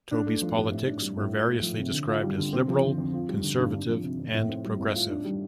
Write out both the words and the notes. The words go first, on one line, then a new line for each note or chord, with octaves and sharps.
Tobey's politics were variously described as liberal, conservative, and progressive.
D4
A3
F3
G2
A2
D4
G3
A2
F4
A3
F3
C3
D3
F4
G3
D3
C4
F3
D3
F2
F4
G3
D3
G2
D4
F3
C3
F2
A2
C4
G3
A2
F4
D4
G3